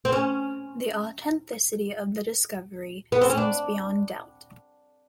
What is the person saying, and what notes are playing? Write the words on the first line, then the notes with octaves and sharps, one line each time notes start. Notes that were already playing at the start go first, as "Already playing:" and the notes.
The authenticity of the discovery seems beyond doubt.
C4
C#4
B3
C4
C#4
D4